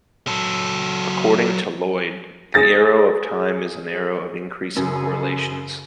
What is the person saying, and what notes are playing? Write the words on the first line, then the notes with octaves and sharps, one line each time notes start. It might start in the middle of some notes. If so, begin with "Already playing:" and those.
According to Lloyd; The arrow of time is an arrow of increasing correlations.
F#3 A4
G#4 A6 A#6
F#2 C#3